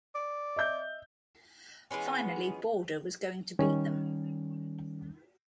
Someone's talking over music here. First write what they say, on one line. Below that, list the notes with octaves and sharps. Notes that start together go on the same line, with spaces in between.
Finally Border was going to beat them.
D5
D#5 E5 G6
E3 G#3 B3 C#4
D#3 G3 C#4